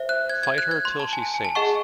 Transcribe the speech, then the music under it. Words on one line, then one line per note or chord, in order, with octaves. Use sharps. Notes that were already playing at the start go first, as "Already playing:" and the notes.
Fight her till she sinks.
Already playing: C5 E5
F#6
G#6
G#6
F#6
G#6
C6
A5
G#5
A5
G#5
A5
G#4 D#5 F#5 C#6